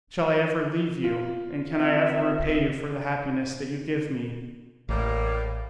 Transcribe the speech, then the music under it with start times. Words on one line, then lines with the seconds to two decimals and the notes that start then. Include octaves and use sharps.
Shall I ever leave you, and can I ever repay you for the happiness that you give me?
1.04 F4
1.75 C4 E5
4.89 A1 A2 G3 A#3